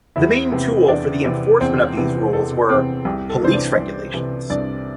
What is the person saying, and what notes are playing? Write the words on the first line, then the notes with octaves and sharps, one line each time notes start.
The main tool for the enforcement of these rules were "police-regulations".
E2 E4 E5
C3 E3 C4
E2 D4 D5
C3 E3 C4
E2 C4 C5
C3 E3 C4
E2 A4
C3 E3 C4
C2 G4
A4
C3 E3 C5
D4 D5
C2
C3 E3
C2 D4 D5